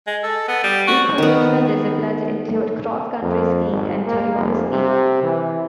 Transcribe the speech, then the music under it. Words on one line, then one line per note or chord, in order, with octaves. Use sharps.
Recreational disciplines include cross-country skiing and Telemark skiing.
G#3
A4
B3
G3
F#4
D#3 B3
F2
G#1
A#3
F1
C3
E3